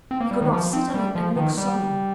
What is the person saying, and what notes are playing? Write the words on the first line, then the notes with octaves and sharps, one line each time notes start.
He could not sit on it and look solemn.
C4
A#3
G3
D#3
F3
C4
G3
F3
D#3
G3